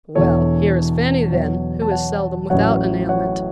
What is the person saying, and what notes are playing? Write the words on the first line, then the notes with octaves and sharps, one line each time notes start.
'Well! here is Fanny then, who is seldom without an ailment.
E1 E2 E3 A4 C#5
E2 B2 F#3 C#5 F#5
A5
C#5 F#5
A1 A2 F#3 C#5 F#5
C#5 F#5